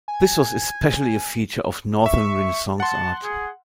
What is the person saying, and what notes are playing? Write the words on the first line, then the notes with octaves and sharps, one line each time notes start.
This was especially a feature of Northern Renaissance art.
G#5
E5 C#6
F#5 A5 C6
G#4